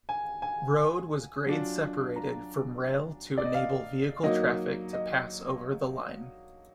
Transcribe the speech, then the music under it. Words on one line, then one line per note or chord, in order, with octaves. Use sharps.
Road was grade-separated from rail to enable vehicle traffic to pass over the line.
G#5
G#5
F#3 D4 F4
A#5
D5
D#5
F5
F#3 A#3 D#4 D#5
D#5